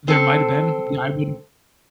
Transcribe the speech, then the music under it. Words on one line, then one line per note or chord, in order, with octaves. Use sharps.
There might've been, I wouldn't
C4 A4